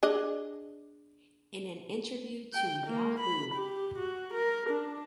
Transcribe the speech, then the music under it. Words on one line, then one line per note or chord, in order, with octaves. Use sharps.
In an interview to Yahoo!
D4 G#4 D#5
G5
A#3
B5
G4
F#4
A#4
D4